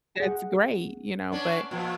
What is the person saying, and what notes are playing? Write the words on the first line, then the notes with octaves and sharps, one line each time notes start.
that's great, you know, but,
G#4 F#5
B3 C#4 D4
A#2 F3 B3